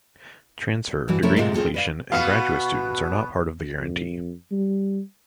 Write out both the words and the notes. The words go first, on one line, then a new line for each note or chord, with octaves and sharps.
Transfer, degree completion and graduate students are not part of the guarantee.
G2 E3 F#4
C3 F3 A3 C#4 E4 A#4
G#2 C3 G#3 A3 F4
C4 F4 G#4 A4
B4 D5 F5
B2 B3 F#4 F5
F2
G3